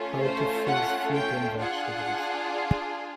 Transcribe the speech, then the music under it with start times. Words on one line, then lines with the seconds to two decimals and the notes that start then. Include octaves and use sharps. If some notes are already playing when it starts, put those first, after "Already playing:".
How to freeze fruit and vegetables.
Already playing: A3 C#4 F4
0.22 C5
0.67 F#5
1.13 G5
1.58 D4 F4 G#4 F#5